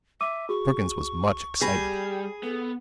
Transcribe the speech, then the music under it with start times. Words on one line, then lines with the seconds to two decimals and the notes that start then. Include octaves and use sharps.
Perkins was much excited.
0.21 E5 D6 E6 D#7
0.49 F#4 G#4 C#6
1.61 G3 G#4 B5 A#6 B6
2.43 B3 A4